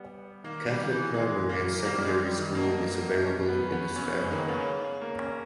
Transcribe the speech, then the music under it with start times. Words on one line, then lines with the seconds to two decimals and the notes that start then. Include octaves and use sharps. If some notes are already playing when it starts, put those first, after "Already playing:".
Catholic primary and secondary schooling is available in Innisfail.
Already playing: G3 B3
0.44 D#3 A#3
0.67 G3
0.91 E3
1.14 E3 G#3
1.49 E3 A#3
1.84 G3 A#3
2.02 G#3
2.19 G3
2.37 D#3
2.55 B2 A#3
3.26 C#4
3.48 B3
3.68 C#4
3.72 B3
3.96 C#3 C#4
4.13 C#3 B3
4.23 G#3
4.31 D#3 A#3
4.48 C#3 B3
5.01 A#3
5.19 C#4